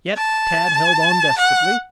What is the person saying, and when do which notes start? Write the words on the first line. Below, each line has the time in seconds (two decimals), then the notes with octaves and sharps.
Yet Tad held on desperately.
0.17 A5
1.38 F#5